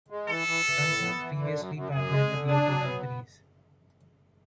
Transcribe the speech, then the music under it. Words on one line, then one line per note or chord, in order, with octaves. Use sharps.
The company previously partnered with local companies.
G#3
E3 A4
E3
E3
A2
B3
E3
D3
F#2
F#2
F#2 G#4
G#3
D3
D4 G#4
F#3
B3